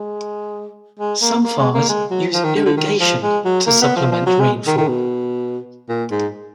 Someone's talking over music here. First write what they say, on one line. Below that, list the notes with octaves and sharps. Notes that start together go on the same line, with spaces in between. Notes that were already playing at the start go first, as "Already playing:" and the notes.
Some farmers use irrigation to supplement rainfall.
Already playing: G#3
G#3
A#3
A#3
G#3
A#3
G#3
F#3
F3
D#3
D3
D3
D#3
F3
G#3
F#3
A#3
B3
F3
F3
F#3
G#3
D#3
D#3
B2
A#2
G#2